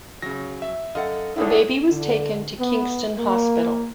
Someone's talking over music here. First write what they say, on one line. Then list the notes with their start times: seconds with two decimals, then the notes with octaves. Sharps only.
The baby was taken to Kingston Hospital.
0.22 C#3 F#3 A#6
0.62 E5
0.95 F#2 A4 D#5 F5 F#5
1.36 E2 A2 D3 G#3 D#4 E4
1.92 D3
2.58 B3
3.18 A#3